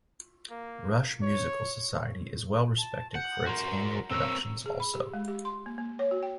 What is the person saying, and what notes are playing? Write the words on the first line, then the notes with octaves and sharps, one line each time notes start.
Rush Musical Society is well respected for its annual productions also.
A#3
C#5
A5
F#5 G6
F#4 A#4 C6
C4 A#4 C#5 E6
G#4
B5
G4
G#3
G4
C6
A#3
A#3
C#5
F#4
G5